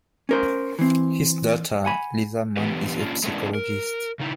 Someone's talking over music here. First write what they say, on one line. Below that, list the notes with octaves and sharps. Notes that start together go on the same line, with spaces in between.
His daughter, Lisa Mann, is a psychologist.
C#4 A#4 C5
E3 C4
F#5 G#5 B5
E3 B3 D4 G4 B4
A#3 C#4 D4 F4
G#3 A3 B3 C#4 D4 E4
A#4
C#3 D#4 E4